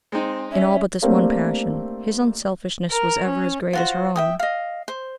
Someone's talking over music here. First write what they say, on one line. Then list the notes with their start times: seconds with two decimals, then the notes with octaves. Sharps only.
In all but this one passion his unselfishness was ever as great as her own.
0.12 G#3 C4 D#4
0.52 C#4 E5
1.02 A3 A#3 C4 D4 G4
2.89 A#4
3.24 C#4
3.73 F4 F#4 C5
4.16 E5 G5 D#6
4.39 D#5 F5
4.88 C5